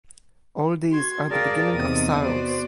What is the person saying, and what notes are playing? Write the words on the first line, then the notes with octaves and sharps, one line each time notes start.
All these are the beginning of sorrows.
F#4 C6 G#6
G#4 A#4 D5 F5 G5 A5
E2 C3 B3 C4 D#4 D#6
B3 F#4 C5 D5